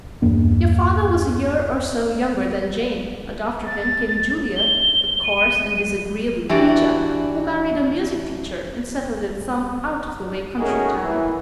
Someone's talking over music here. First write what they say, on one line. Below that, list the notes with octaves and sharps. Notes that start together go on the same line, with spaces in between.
Your father was a year or so younger than Jane, and after him came Julia, a coarse and disagreeable creature who married a music-teacher and settled in some out-of-the-way country town.
E2 G2 A#3 D4
A6
G7
D#7
E3 D4 E4 F#4 G4 D5
A3 C#4 D#4 F#4 G#4 A#4
E3